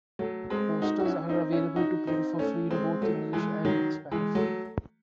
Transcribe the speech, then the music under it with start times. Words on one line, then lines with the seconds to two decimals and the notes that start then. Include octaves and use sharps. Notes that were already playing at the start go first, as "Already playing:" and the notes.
Posters are available to print for free in both English and Spanish.
0.19 F#3 A3
0.50 G#3 C4
0.82 D#4 F#4
1.00 F#4
1.05 C#4 E4
1.29 C4 D#4
1.52 C#4 E4
1.76 D#4 F#4
2.07 C4 D#4
2.39 A3 C#4
2.70 G#3 C4
3.02 F#3 A3
3.33 E3 G#3
3.65 D#3 F#3
4.11 E3 G#3
4.35 F#3 A3